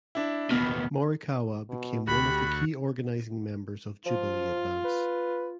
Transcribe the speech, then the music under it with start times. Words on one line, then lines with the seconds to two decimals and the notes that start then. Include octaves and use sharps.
Morikawa became one of the key organizing members of Jubilee Advance.
0.15 D4 E4
0.51 D#2 B2 B3 F6
1.69 B2
2.07 D2 F#4 G4 B5
4.06 F3 F4
4.84 B4